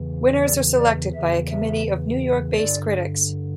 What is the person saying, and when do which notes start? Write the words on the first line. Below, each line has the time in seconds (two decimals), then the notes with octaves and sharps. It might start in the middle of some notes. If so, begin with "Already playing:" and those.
Winners are selected by a committee of New York-based critics.
Already playing: E2 C#3 E3
0.43 D5
0.79 D5
1.14 E2 C#3 E3 E5
1.50 E5
2.57 G2 D3 D5